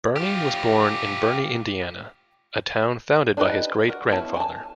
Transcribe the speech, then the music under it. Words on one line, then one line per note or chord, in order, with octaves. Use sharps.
Burney was born in Burney, Indiana, a town founded by his great-grandfather.
F4 G4
D4 D#4 G4 B4 D#5
F#4 A#4 F#5
B3 C#4 E4 A5
G#5 A5